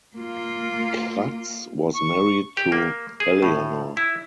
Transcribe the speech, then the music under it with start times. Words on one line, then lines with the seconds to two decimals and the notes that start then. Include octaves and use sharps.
Kratz was married to Eleanor.
0.16 A#3 F4
1.94 C#6
2.57 G4
2.72 A#3
3.20 G#4
3.42 A2
3.97 E4